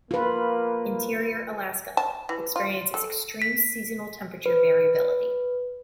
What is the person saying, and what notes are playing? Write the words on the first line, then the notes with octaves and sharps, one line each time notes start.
Interior Alaska experiences extreme seasonal temperature variability.
A#3 F4 B4
A5
E3
F4
A4
B6
B4